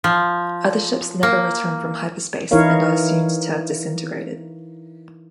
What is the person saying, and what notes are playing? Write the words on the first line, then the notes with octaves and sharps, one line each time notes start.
Other ships never return from hyperspace and are assumed to have disintegrated.
F3
A#3
E3 D#4 E4 A#4 C#5 F5